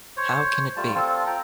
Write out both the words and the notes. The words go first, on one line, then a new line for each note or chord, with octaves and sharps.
How Can it Be?
C5 C#5
G3 A3 F4 A5
C4 F4 A4
G5 A#5